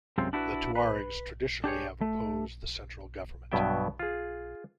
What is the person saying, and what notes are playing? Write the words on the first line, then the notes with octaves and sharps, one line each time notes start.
The Tuaregs traditionally have opposed the central government.
F#2 C3 G#3 C4 F4
D4 E4 F#4 G4 B4
B4
D4 G4 G#4 C#5
A3
G2 B2 F#3 B3 E5 G5
F4 G#4